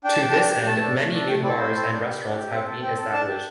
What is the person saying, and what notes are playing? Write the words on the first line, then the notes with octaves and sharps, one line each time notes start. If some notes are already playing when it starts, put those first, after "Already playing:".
To this end many new bars and restaurants have been established.
D4 G5
A5
G4 G5
A5
D4 G5
G4
A3 A5
D4 A4
A3
D4 A4
A3 G5
C4 E4 A4 D5
A3 C5
C4 E4 A4
D4
G4
D4
G4
C4 E5
A4
C4 G5
A4
D4 A5
G4